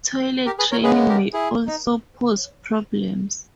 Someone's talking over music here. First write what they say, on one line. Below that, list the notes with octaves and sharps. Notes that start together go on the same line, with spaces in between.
Toilet training may also pose problems.
G4 A#4
G#4 B4
A#4 C#5
C#3 G#3 B3 G#4 B4
G4 A#4
E4 G#4
D#4